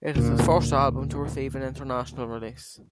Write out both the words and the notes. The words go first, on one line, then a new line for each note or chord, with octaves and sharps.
It is his first album to receive an international release.
D2 A#2